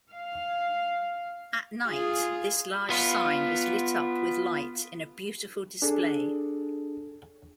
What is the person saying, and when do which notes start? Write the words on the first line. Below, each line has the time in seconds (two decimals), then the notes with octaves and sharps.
At night, this large sign is lit up with light in a beautiful display.
0.12 F5
1.87 F4 G#4
2.90 B3 F4
5.82 D4 G#4 A4